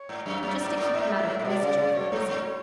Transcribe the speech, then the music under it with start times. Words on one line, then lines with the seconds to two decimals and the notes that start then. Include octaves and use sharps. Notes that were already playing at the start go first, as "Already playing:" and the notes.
But just to keep him out of mischief, and busy.
Already playing: C#5
0.09 G#2
0.26 F#2
0.43 F#2 D5
0.60 G#2
0.77 G#2
0.94 G#2 E5
1.19 A2
1.39 A2
1.44 B2 D5
1.61 C#3
1.78 C#3
1.95 B2 C#5
2.12 G#2
2.28 G#2